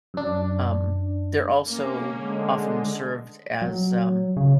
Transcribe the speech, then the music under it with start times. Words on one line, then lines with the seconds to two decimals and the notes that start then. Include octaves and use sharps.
Um, they're also often served as, um
0.14 F#2 D4
1.67 A#3 C#4
2.08 D3 G#3
3.62 F#3
4.36 C#3